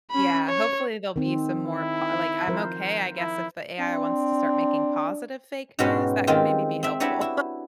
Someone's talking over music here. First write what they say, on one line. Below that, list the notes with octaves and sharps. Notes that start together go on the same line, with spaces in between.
Yeah, hopefully, there'll be some more po like, I'm okay, I guess if the AI wants to start making positive fake news, that could maybe be helpful.
C#4 B5
C#5
D#3 C4
E4
F3 A#4 C5
E4
C4 D4
G#2 B2 C#4 F#4 G4 C5
D#3 G#3 C4 F4 G4
C4 E5
D4 E4 F#4 G4 B4 C#5
E4